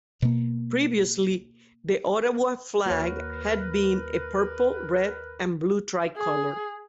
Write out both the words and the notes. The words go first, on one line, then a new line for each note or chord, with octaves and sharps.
Previously the Ottawa flag had been a purple, red and blue tricolour.
B2 A#3
D#2 A#3 F#4 A#4 B4 C#5
G#4